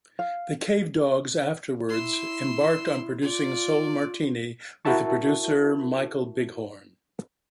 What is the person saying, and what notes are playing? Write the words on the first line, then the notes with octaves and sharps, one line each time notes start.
The Cavedogs afterwards embarked on producing "Soul Martini" with the producer Michael Bighorn.
F5
E4 C6 E6
F4 D5
E4 F#4 A#4 E5 A5 C#6